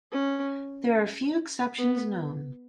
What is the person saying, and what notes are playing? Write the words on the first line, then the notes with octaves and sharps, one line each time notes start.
There are a few exceptions known.
C#4
B3